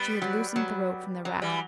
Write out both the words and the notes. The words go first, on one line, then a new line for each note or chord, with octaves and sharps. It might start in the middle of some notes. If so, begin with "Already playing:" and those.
She had loosened the rope from the wreck.
Already playing: G3 B3
F#3
F#3
F#3
E3 G3